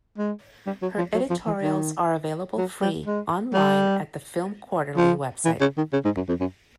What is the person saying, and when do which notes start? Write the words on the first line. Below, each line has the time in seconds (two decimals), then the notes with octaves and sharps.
Her editorials are available free online at the "Film Quarterly" website.
0.18 G#3
0.67 G3
0.82 F#3
0.98 F3
1.14 F#3
1.30 F3
1.46 E3
1.62 D#3
2.58 F#3
2.82 G3
3.06 G#3
3.54 G3
4.97 F3
5.45 E3
5.61 C#3
5.77 D#3
5.93 C#3
6.05 G#2
6.17 F#2
6.29 F2
6.40 F#2